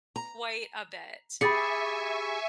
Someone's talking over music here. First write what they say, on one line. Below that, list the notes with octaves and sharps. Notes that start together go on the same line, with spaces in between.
quite a bit,
A#5
G4 G#4 E5 G#5 B5 C#6 A6 C#7